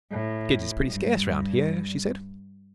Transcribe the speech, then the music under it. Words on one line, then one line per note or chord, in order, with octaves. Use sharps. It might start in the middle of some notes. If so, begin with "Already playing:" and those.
"Kids is pretty scarce round here," she said.
A2
G2